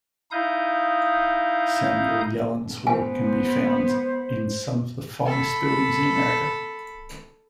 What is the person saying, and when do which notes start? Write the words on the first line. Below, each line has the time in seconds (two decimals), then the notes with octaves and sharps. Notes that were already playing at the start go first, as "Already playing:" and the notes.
Samuel Yellin's works can be found in some of the finest buildings in America.
0.31 D#4 E4 F5 D#6 G6
2.87 B3 C5 G#5
5.26 A4 B5